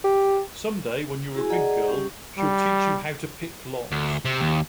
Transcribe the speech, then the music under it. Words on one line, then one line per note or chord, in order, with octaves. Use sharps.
Someday, when you're a big girl, she'll teach you how to pick locks.
G4
E4 F#4 G#4 G#5
G#4 D5 D#5 F#5 A#5
G3 C#4 G4
G3
D2
C3
D#2